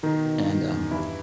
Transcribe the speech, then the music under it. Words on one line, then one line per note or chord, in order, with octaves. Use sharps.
And, um
B2 D#3 D#4
B2
B2
E2
G2 E3 E4